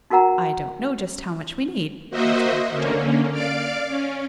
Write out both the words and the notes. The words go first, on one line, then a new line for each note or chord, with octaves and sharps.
"I don't know just how much we need," answered Uncle John.
D#4 F#4 A#4 F#5 A#5
A#3 F#4 C5 D#5 E5
D3 A#3 C#4
D5 F5 D6
C#4